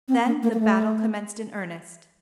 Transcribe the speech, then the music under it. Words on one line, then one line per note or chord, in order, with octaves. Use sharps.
Then the battle commenced in earnest.
C4
A#3
A#3
A#3
A3